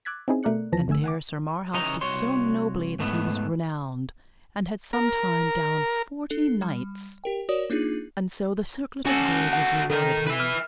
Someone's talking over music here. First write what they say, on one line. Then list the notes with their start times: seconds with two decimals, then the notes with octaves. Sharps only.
And there Sir Marhaus did so nobly that he was renowned, and had sometime down forty knights, and so the circlet of gold was rewarded him.
0.05 D6 E6 F#6 G#6 A6 B6
0.28 C4 C#4 D#4 E4 G#4
0.43 B2 A3 A#4 D5 F#6 C#7
0.72 E2 E3 F3 A5 A#6 B6
0.88 G1 D3 A3 G#5 E6
1.04 F#5 G#5 D6
1.74 C#3 E3 C#4 C#5 D#5 A#5
2.01 C2 F#4 C#5 C6
2.99 G#2 A3 B3
4.93 A#4
6.31 D4 A4
6.62 G3
7.24 G4 A#4 G5
7.49 F#4 A#4 C#5 D5 D#6
7.70 A#3 D4 D#4 F4 G#4
9.06 C#4 F#4 A4 G#5
9.53 F#5
9.90 D#3 A4 A#4
10.27 B4 E5
10.40 F6